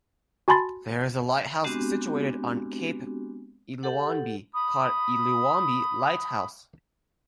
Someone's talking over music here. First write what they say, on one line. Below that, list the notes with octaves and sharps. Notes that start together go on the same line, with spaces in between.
There is a lighthouse situated on Cape Eluanbi, called Eluanbi Lighthouse.
F#4 G#5 A5 B5 C6 A6
G#3 B3 C4 D4 F#4 G4
G4 A4 F#5
B5 D#6